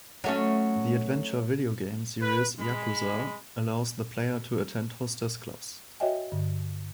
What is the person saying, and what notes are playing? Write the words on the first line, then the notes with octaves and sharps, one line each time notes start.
The adventure video game series "Yakuza" allows the player to attend hostess clubs.
F#3 A3 C#4
B4
G#3 B5
F#4 C#5 D#5 E5 G5 G#5
G2 D3